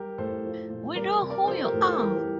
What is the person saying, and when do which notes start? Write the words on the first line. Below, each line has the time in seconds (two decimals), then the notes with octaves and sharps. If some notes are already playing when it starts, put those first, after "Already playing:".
We know who you are.
Already playing: G3 G4 A#4
0.18 A2 A4 C5
0.44 F3
0.70 A#2
0.96 G3 A#4 D5
1.22 C3
1.30 A#4 D5
1.47 F3 A4 C5
1.64 G4 A#4
1.73 A2
1.81 A4 C5
1.99 E3 G4 A#4
2.16 G4 A#4
2.24 G3